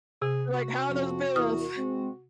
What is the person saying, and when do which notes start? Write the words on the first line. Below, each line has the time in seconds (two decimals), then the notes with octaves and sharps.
Like, how are those bills?
0.22 C3 G#4
0.54 F#4
0.89 F2 F3 C4
1.36 E2 E4 A#4 D#6 F6
1.76 G#3 C4